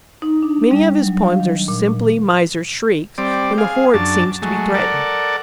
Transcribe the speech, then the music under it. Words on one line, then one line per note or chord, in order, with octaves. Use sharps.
Many of his poems are simply miser's shrieks when the hoard seems to be threatened.
D#4
D4
G3
F#3
F5
D#3
A#2
G3 C4 D5
G#4 F5
F#2 D4 A5
F#3 G#3 A3
A4 A#4 D5 F#5